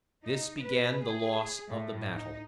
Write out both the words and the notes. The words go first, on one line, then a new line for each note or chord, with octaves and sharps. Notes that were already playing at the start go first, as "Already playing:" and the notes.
This began the loss of the battle.
D#4
B4
G#4
A2
D#4